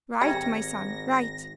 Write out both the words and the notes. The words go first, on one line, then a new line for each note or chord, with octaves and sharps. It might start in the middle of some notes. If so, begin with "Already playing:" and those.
'Right, my son, right.
G#1 G3 G#6 A#6 C#7